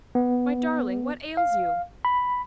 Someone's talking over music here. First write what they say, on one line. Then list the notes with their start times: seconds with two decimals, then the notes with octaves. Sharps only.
"My darling, what ails you?"
0.15 B3
1.37 F5
2.05 B5